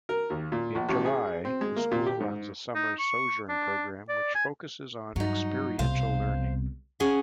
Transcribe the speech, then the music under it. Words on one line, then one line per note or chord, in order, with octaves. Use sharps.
In July, the school runs a Summer Sojourn program which focuses on experiential learning.
A#4
D#2
A#2
A#1
A1
G#4
C4
G#3
A#3
A#2
G4
G#2
D#4
C#6
D4
D5
G#5
G2 F#3 D#4
C2 B2 C5 F5
C#4 G#4 F#5